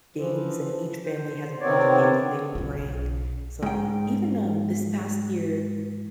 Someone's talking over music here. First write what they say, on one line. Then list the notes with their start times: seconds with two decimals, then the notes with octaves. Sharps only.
games, and each family has a bunch of games that they will bring. So even, um, this past year,
0.16 E3 F3
1.05 C5
1.60 C3 D#3 B3 C4 C#5 D5
2.55 B1 F4
3.63 G#2 G5